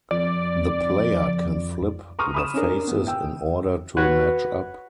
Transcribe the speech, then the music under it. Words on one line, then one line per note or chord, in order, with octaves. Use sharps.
The player can flip the faces in order to match up.
F2 D5
A#5 C6 C#6 D#6 F6
B5 D#6 E7
C#4 D4 A#4
A2 B3
G5 E6
F#4 B4 C#5